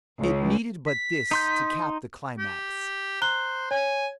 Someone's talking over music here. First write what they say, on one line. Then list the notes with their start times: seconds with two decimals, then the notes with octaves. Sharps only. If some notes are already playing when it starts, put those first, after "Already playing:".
It needed but this to cap the climax.
0.20 C#2
0.87 B6
1.31 D#4 C6 G6
2.39 G4
3.22 C5 A#5 F#6 G7
3.71 C#5 G#5